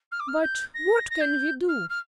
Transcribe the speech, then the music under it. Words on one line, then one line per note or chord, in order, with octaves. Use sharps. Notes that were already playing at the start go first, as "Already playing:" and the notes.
But what can we do?
F6
D6
F6
G6
A#6
A#6
G6
F6
F6